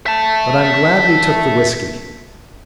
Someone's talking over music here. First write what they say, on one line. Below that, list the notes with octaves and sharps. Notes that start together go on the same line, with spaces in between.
But I'm glad we took the whisky.
E5 A5